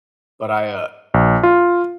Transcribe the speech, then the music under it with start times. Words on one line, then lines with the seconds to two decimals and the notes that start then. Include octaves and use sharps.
but I, uh,
1.14 A#1
1.43 F4